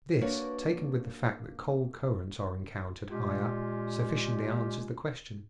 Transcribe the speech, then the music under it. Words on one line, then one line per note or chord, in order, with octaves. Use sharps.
This, taken with the fact that cold currents are encountered high up, sufficiently answers the question.
A#3 D4 F#4 A#4 B4 C#5
A#2 G#3 C#4 F4 G4